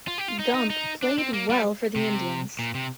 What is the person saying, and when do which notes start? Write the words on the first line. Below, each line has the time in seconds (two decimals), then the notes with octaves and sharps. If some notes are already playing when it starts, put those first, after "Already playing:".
Gump played well for the Indians.
0.08 F4
0.18 G4
0.28 F4
0.39 D#4
0.54 D#4
0.70 D#4
1.02 D4
1.18 C4
1.34 A#3
1.50 G3
1.96 C3
2.59 A#2
2.75 C3